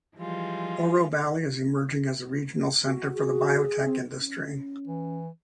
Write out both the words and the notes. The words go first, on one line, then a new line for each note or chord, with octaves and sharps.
Oro Valley is emerging as a regional center for the biotech industry.
E3 F3 G3 G#3 F4
F#4
G#4
C4
C#4
E3